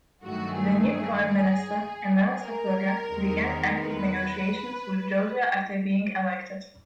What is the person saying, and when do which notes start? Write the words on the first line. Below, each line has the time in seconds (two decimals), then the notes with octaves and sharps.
The new prime minister Enele Sopoaga began active negotiations with Georgia after being elected.
0.23 G2 D#3 F#3 A3 F#4
0.58 G#4
2.36 A#4
3.08 E2 C3 D#3 G#3
3.80 B4